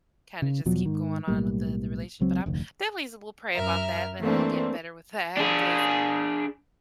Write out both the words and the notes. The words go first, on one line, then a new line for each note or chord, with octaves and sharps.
kinda just keep going on with the the relation But I'm definitely still pray about that, that I get better with that, 'cause
C#3
E2 B2 F3 F#3
G#2 D#3
B1 A2 G3 A#3
C#2 F#3 C4
F1 D2
F#2 A#4 E5 F6
E3 A3 A#3 C4 D4
D4 G#4